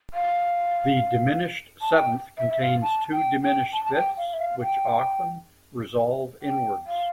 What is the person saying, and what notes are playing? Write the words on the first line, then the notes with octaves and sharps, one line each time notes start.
The diminished seventh contains two diminished fifths, which often resolve inwards.
F5
A5
G5
E5
E5
F5
A5
G5
G5
A5
A5
G5
F5
E5
F5
G5
G5
F5